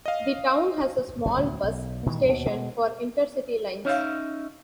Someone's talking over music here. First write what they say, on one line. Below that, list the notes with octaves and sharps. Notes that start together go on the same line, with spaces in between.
The town has a small bus station for intercity lines.
D#5 F5
F#1 G#2 C3
D2 A2 C3
B1
A#2 D#3 E3 G#3
D#2 B2
B2 G#3
C#4 D#4 C#5 E5 F5